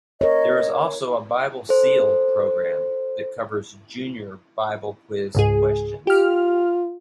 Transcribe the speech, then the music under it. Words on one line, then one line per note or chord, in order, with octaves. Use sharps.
There is also a Bible Seal program that covers Junior Bible Quiz questions.
A#4 C#5 D#5
A4 C5
C#2 G#2 G#4
F4 G4 F6